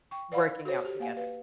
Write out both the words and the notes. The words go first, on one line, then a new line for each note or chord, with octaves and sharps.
working out together.
G5 C#6
B4 D5 F5 F#5 B5
F#4 A4 C5 C#5
G4
A#3 F5 F#5 G#5
B4 F5